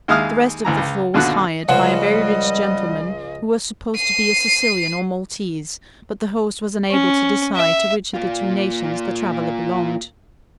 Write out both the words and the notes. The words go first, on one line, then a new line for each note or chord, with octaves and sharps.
The rest of the floor was hired by a very rich gentleman who was supposed to be a Sicilian or Maltese; but the host was unable to decide to which of the two nations the traveller belonged.
D#2 G#3 E4 F5 D#6 F6
D2 E3 A#5
C#2
D#2 B2 D3 F4 F#4 F#6
C#2 C#3 F3 G3 D#5 F#5
C7 D#7
C#4
E5
A#3 F4